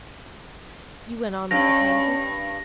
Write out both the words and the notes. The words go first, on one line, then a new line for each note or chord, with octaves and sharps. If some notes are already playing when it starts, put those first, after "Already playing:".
You went on with the painting?'
G2 C#4 A#6